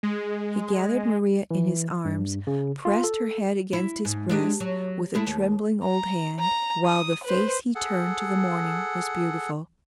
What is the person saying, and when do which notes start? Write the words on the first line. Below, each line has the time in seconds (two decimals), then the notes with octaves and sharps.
He gathered Maria in his arms, pressed her head against his breast with a trembling old hand, while the face he turned to the morning was beautiful.
0.03 G#3
1.51 E3
2.05 G2
2.47 C#3
2.85 F4
3.04 A4
3.73 E4
4.05 G#2
4.29 G#3 D4 G4
4.60 F#3
5.14 G#3 A3 E4
5.27 D#2
5.85 A#5
6.40 A#5
6.86 D#6
7.24 B4 C5
7.75 G#4 A4 F#5